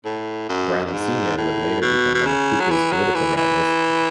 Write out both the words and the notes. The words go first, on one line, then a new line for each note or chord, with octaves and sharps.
Brown, Senior would later become one of Cooper's political rivals.
A2
F#2
F#2
G#2
A2
B2
B2
C#3
F#3
E3
F#3
E3
E3